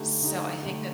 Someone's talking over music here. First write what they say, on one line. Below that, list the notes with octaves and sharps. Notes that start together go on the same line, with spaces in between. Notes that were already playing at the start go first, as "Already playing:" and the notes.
so I think that
Already playing: D3 A3 D#4 G4
D3 A3 D#4 G4
D3 A3 D#4 G4